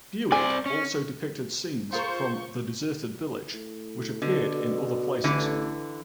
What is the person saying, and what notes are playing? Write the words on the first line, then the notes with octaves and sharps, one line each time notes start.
Bewick also depicted scenes from "The Deserted Village" which appeared in other places.
C4 D5 G#5
C#4
F4 G#4 A#4 C5 C#6 G6
A2
B2 D3
A1 D3 E3